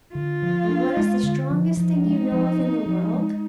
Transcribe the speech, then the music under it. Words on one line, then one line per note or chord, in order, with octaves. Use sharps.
And what is the strongest thing you know of in the world?
D3 F4
F3
D4
G#3
D3
F3
F3 D#4
G#3
F3
C4
F3
G#3